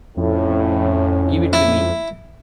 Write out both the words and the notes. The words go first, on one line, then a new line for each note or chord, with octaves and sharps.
Give it to me!
F2 A2 C#4
E4